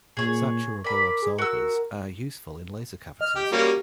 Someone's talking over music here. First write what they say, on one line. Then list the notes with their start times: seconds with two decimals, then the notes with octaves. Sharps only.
Saturable absorbers are useful in laser cavities.
0.17 A#2 G#4 C#5
0.84 A#4 D5 B5
1.22 G#4
1.38 F#4 A#4 E6
3.21 D#5 F6
3.36 G4
3.52 G3 A#3 C#4 F#4 G4